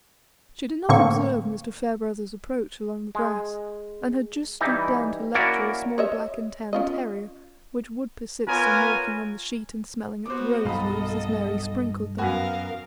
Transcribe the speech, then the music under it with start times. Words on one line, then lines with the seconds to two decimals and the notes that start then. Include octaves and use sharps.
She did not observe Mr. Farebrother's approach along the grass, and had just stooped down to lecture a small black-and-tan terrier, which would persist in walking on the sheet and smelling at the rose-leaves as Mary sprinkled them.
0.89 A2 D3 A#3 C4 C#6
3.15 G#3
4.61 E3 G3 D#4 E4
5.34 A#3 C#4 E4 F#4 A#4 D5
5.98 C#5 D#5 E5
6.73 C#4 F4 D#5
8.47 B3 F4 A#4 C#5 G#5
10.26 B3 F#4 C5 D6
10.65 B1 G2 A4 D#5 F5 B5
12.18 F#2 B3 F#4 A#4 F5 F#5 G#5